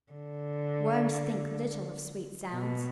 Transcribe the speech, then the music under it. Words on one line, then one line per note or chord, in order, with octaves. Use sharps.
Worms think little of sweet sounds.
D3
B2